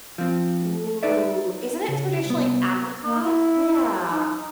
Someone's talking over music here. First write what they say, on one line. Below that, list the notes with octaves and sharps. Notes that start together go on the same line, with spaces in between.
Ooh, isn't it traditionally apricot? Yeah.
F3 C4
D#4 B4 D5 E5
C#3
C2 B3
A#3
E4
D#4